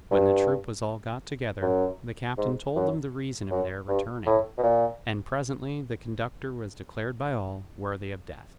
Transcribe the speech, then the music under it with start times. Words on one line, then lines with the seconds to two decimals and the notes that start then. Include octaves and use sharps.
When the troop was all got together, the captain told them the reason of their returning; and presently the conductor was declared by all worthy of death.
0.11 G2
1.62 F#2
2.38 G#2
2.76 F#2
3.51 F#2
3.88 G2
4.26 A2
4.58 B2
4.63 A#2